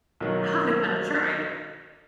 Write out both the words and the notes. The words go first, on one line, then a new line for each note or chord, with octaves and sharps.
I gotta try it.
B1 D#3 F#3